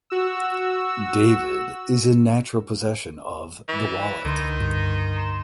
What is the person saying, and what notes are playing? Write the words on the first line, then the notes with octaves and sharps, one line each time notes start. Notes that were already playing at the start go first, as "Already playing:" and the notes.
David is in natural possession of the wallet.
F#4 E6
E3
C#2 D3 D#3 C6
G2
A#5 C6 E7